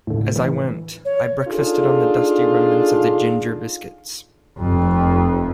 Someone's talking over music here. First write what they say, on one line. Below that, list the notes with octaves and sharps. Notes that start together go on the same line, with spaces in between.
As I went I breakfasted on the dusty remnants of the ginger biscuits.
A2 D3
E3
C#5
D4 D#4 F4 G#4 A4
F1 F2